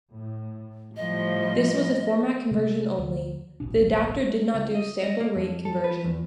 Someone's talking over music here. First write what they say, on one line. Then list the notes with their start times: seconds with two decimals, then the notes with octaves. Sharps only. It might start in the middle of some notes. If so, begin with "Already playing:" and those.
This was a format conversion only, the adapter did not do sample rate conversion.
0.12 A2
0.96 A2 F3 G3 D#5
2.51 C3 A#3
2.98 D2
3.60 D1 A1 B2 D4
4.54 C#2
4.75 D#5
5.03 D#5
5.20 A#3
5.35 F2
5.65 A4
5.84 B4
6.04 E2